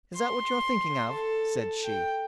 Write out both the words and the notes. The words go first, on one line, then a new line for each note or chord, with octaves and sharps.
Is that what you're thinking of?' said she.
C6
A4
G5